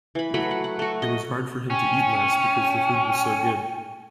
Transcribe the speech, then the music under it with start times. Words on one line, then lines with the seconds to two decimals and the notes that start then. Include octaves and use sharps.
It was hard for him to eat less because the food was so good.
0.15 E3 B5
0.34 F#3 A3 F#5 B5
0.51 F#5
0.64 F#5
0.79 A3 F#4
1.02 D#5
1.70 C#4 G5